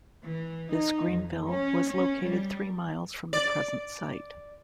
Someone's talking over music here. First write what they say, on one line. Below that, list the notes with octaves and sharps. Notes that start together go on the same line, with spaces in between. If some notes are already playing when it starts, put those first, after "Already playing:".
This Greenville was located three miles from the present site.
E3
D#4
F2
C#4
C#4
G3
D5